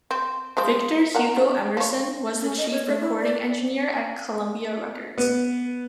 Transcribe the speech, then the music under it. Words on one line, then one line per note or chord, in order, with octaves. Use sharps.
Victor Hugo Emerson was the chief recording engineer at Columbia Records.
C4
F3 G#3 C4
A#3 F#5 A#5
C#4
F3 C#5
C#4
D#5
C#5
A3
E4
D5
B3